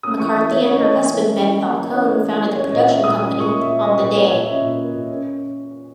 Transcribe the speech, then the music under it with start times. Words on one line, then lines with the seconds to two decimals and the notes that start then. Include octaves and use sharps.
McCarthy and her husband Ben Falcone founded the production company, "On the Day".
0.03 C#4 D#6
0.19 E3 C#6
0.35 A#3 E5
0.51 E3 C#5
0.67 C#4 C#5
0.78 E3 D#5
0.90 C#5
0.99 A#3
1.14 E3
1.30 C#4
1.46 E3
1.61 A#3
1.77 E3
1.93 C#4 C#5
2.09 E3
2.25 A#3
2.40 E3
2.56 C#4 C#5
2.72 A#2 D#5
2.88 A#3 E5
3.04 A#2 D#6
3.19 C#4 D#6
3.35 A#2
3.40 C#6
3.51 A#3
3.62 E5
3.67 A#2
3.82 C#4 D#5
3.98 A#2 B4
4.14 A#3 C#5
4.30 A#2 C#5
4.46 C#4 E5
4.61 A#2
4.77 A#3
4.93 A#2
5.09 C#4